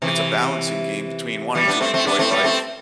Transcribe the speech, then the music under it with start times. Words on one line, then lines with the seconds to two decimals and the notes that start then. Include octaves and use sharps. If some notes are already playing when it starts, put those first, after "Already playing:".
it's a balancing game between wanting to enjoy life
0.02 C3 E3
1.55 E3 G3
1.68 B3 D4
1.80 A3 C4
1.94 A3 C4
2.07 B3 D4
2.19 A3 C4
2.31 G3 B3
2.44 A3 C4